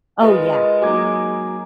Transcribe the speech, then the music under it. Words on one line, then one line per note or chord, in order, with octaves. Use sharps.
Oh, yeah.
G#3 F4 A#4 B4 D#5
F#3 A#3 D#4 G#5 D6 G#6